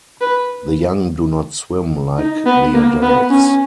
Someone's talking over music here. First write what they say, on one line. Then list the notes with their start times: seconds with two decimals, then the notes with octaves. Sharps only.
The young do not swim like the adults.
0.21 B4
2.18 D#4
2.46 B3
2.74 A#3
3.02 B3
3.31 C#4